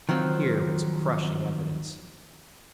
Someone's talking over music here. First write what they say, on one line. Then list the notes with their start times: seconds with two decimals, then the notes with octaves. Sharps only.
Here was crushing evidence.
0.09 D#3 F3 F#3 C4